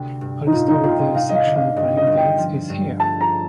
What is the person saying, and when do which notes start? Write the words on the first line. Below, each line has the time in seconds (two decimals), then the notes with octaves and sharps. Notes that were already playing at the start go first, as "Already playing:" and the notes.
A list of the section opening dates is here.
Already playing: D2 C3
0.21 G2
0.47 D#4
0.52 A2 F4
0.68 D#4
0.83 C4 F4
0.98 D#5
1.15 D#4 F5
1.29 D#5
1.35 F5
1.46 D3
1.56 F5
1.76 G2 D#5
1.97 D#5
2.07 G2
2.17 G5
2.38 F3
2.69 G2
3.00 A3 A5
3.21 A#5